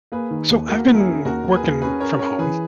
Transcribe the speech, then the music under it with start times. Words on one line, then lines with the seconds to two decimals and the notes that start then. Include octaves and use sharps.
So, I've been working from home
0.12 A#3 G#4 B4
0.31 D#3
0.50 D#2
0.68 A#3 F#4 A#4
0.87 D#2 A#4
0.97 E4 G#4
1.07 C#4
1.25 D#2 F#4 A#4
1.44 D#2
1.54 G#4 B4
1.63 D#2
1.81 C#4 G#4 B4
2.00 C#4 A#4 C#5
2.19 C#4 A#4 C#5
2.39 E3 G#4 B4